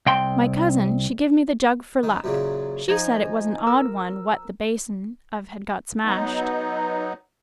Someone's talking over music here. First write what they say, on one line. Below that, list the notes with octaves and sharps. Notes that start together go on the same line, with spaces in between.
'My cousin, she give me the jug for luck; she said it was an odd one what the basin of had got smashed.'
C2 G5 C6
D#3
F#2 A#2 C#3
F3 D#4 G#5 A#5
A#4 E6
F#3 B3 D#4